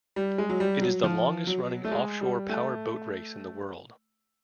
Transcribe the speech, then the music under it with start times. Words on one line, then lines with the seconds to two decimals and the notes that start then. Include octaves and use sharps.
It is the longest-running offshore powerboat race in the world.
0.16 G3
0.38 G#3
0.49 F#3
0.60 G3
0.81 F#3
1.04 F3
1.47 F#3
1.85 A3
1.91 G#3
2.21 G3
2.49 A3